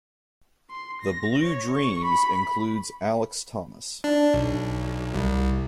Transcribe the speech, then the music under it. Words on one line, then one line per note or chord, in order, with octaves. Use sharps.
"The Blue Dreams" includes Alex Thomas.
C6
A#6
C#5
C#6
B5
D4
B1
C2